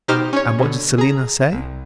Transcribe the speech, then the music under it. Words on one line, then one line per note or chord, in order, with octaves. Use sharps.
And what did Selina say?
B2 D#4 G4 C5 F6
C#4 C#5
B2 D3
G#4 A#5
C2